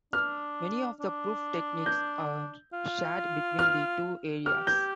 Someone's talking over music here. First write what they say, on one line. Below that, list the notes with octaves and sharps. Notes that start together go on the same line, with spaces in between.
Many of the proof techniques are shared between the two areas.
D4 F6
D4
G6
F4
F6
G4 F6
G6